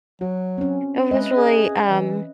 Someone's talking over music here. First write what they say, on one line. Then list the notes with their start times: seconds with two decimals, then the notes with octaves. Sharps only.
it was really, um,
0.21 F#3 F#4
0.58 C4 C#4
1.11 G#3 B4 D#5 E5
1.37 G#4
1.88 E3